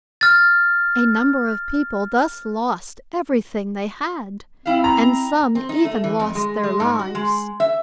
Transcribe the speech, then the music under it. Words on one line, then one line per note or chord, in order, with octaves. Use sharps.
A number of people thus lost everything they had, and some even lost their lives.
F6 A6
C4 E4 F5
A#5
C4
D#4
A3
E3
F2
G#3
G#3
G#2
F#4
G#3
E5